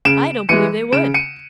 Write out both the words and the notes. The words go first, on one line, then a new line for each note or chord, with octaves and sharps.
'I don't believe they would.
C#3 D7 E7
E3 G#3 C#7 D#7
C#3 D7 E7
C#7 D#7